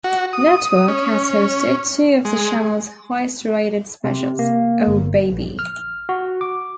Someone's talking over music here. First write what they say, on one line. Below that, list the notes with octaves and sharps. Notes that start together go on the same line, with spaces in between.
Network, has hosted two of the channel's highest-rated specials: Oh Baby!
F#4
D#6
C#4
G#3
C3
A#3
G1
A#1
F6
F#4
D6